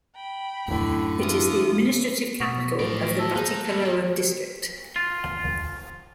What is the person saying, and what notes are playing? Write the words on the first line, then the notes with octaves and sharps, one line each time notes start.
It is the administrative capital of the Batticaloa District.
G5 B5
F#2 A2 D3
E3 F4 D#6
B2 F#5 C#6 D#6 B6
A2 D5 F5
A5 E6
A#3 D#4 G#4
E2 A2
A#3
F4